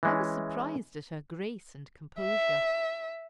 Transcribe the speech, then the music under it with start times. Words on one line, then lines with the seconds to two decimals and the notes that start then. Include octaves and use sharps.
I was surprised at her grace and composure.
0.03 E3 G#3 C#4
2.20 E5